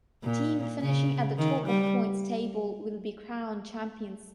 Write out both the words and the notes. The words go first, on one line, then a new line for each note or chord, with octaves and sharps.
Team finishing at the top of points table will be crowned champions.
A#2
C#3
D#3
G3